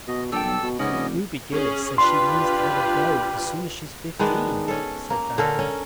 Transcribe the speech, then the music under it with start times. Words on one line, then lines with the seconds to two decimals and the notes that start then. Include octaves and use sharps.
"Ruby Gillis says she means to have a beau as soon as she's fifteen," said Diana.
0.08 B2 D#5
0.32 A#1 G3 A4 G5 E6
0.44 B1
0.63 B2
0.79 G#2 C#3 G3 B3 C#4 D#5
0.92 F1
1.52 C#4 G#4
1.98 D4 F4 G4 B4 C6
4.19 D#3 G#3 B3 D4
4.68 C#4 A4
5.10 A#3
5.38 D3 C#4 A4 A#4
5.59 C#4